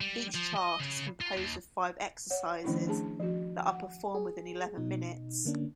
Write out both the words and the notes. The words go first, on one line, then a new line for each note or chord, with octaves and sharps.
Each chart is composed of five exercises that are performed within eleven minutes.
G3
F3
D#5
C#3
F4
D#2
C#5 F#5
D#3 F3 A3 C#4 D4 E4
A3 D4 G#4 A5
F3 F#4
F#5
G#4
B2 D#4
D3 A#3 C#4 D4